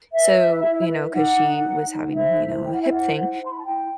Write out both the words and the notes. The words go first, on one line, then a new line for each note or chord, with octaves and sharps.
So, you know, 'cause she was having, you know, a hip thing,
B4 E5
B4
E4
B4
D#4 F#5
D#4
D#4
D#4
F#5
C5 E5
E4
E4 G5
F#5
E5
C5 F#5
E4
E4 C6
B5
A5
E4 G5